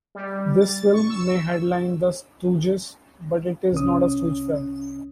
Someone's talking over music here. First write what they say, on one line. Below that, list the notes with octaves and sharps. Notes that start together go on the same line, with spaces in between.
This film may headline the Stooges, but it is not a Stooge film.
G3
A6
C#6
E6
C2 C#4 D#6